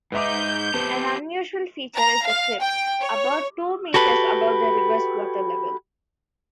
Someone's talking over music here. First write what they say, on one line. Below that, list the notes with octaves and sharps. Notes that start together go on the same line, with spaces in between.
An unusual feature is the crypt, about two metres above the river's water level.
G#2 D#4 B4 E5 D6 G6
B3 G4 C5 A5
A#5
F5
G5
C#5
F#4 G4 A4 B4